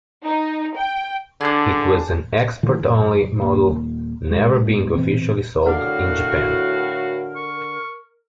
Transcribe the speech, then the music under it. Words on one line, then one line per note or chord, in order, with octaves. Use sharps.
It was an export-only model, never being officially sold in Japan.
D#4
G5
D3 D4 G#4
A#2 D3 E3 A3
F#2
D#1 A#2
C2 G#3
G#2 B2
B2 E3 B3 C4
A2 D3 F#4 A#4 D5 F5
C#6